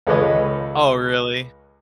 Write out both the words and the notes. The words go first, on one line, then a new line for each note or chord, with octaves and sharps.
Oh, really?
C#2 G#3 A4 B4 C#5 D#5